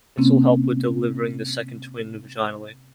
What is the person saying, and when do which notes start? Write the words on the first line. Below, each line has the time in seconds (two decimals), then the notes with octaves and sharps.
This will help with delivering the second twin vaginally.
0.18 C3 A#3 C4 C#4